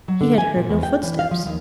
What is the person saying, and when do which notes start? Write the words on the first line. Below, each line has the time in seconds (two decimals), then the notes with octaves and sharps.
He had heard no footsteps.
0.08 F#3
0.21 D3
0.38 G#5
0.56 A#2
0.69 E2
0.83 G5
1.03 E3
1.19 F5
1.31 F3
1.46 D#2